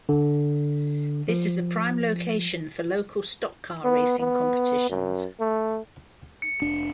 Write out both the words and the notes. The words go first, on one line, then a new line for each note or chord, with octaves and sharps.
This is a prime location for local stock-car racing competitions.
D3
F3
B3
B3
F#2
A3
C#7
F1 D4